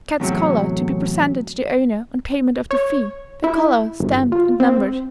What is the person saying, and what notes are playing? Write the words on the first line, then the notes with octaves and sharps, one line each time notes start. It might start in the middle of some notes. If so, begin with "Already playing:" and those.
A cat's collar to be presented to the owner on payment of the fee; the collar stamped and numbered.
E2 A2 C3 F#3
C#5
E4
G1
F4
C4